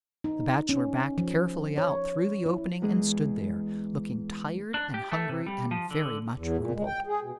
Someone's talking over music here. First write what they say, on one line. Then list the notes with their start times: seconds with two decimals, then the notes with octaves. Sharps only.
The Bachelor backed carefully out through the opening and stood there, looking tired and hungry and very much rumpled.
0.24 D#4
0.69 C#4
1.18 F3
1.78 C#5
2.46 E4
2.82 E2 G#3 G#4
4.74 D4
4.94 G4
5.12 A3
5.29 C3
5.46 G3
5.71 F3
5.91 D3
6.36 E2
6.57 A#2
6.75 G#3
6.86 G5
7.07 G#4
7.22 B2